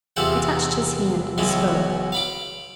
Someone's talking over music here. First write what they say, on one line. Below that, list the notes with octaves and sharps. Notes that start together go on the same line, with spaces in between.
I touched his hand, and spoke.
E2 C3 E3 F4 C5 F#5
C#2 B2 E3 F#3 C#4
F5 B5 D6